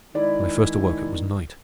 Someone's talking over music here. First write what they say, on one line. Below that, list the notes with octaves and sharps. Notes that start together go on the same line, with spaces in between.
When I first awoke, it was night.
D#3 G#3 E4 D5